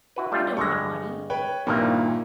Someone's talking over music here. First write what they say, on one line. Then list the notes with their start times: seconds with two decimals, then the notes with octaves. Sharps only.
I don't want money.
0.16 E4 F#4 B4
0.32 G3 A3 F4
0.57 G2 D3 G#3 C#6 A#6
1.30 B4 C#5 G5
1.67 A#1 G2 A#2 D#3 A#3 E4